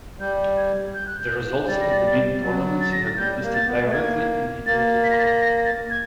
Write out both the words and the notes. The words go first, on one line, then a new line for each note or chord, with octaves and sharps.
The results in the main tournaments have been listed directly in the total column.
G3 G6
G#6
G6
F#6
G6
G3 A6
A#6
A6
A6
F#3 A6
A6
A#6
A6
G3 G6
A#3
A6
B3
A3
A#3 G#6
A#3 A6
B6
A#6
A6
A#6
A#6
A6
G#6